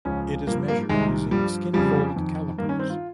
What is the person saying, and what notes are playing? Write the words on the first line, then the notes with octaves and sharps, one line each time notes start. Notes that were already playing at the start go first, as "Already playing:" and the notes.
It is measured using skinfold calipers.
C#2 C#3 F3 C#4
G2 F3 A#3
A#3
C2 C3 D#3 G#3
G2 F3 G3
F2 C#3 F3 G3
F2 D#3
G2 D#3 A#3
C#4
C4
F4